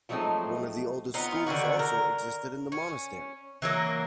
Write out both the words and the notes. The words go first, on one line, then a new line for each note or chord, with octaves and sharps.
One of the oldest schools also existed in the monastery.
F3 F#3 G#3 A3 C4 D#4
B3 C4 D#4 F4
D3 D#3 C#4 F#4
A#4
C#4
E3 F#3 A#3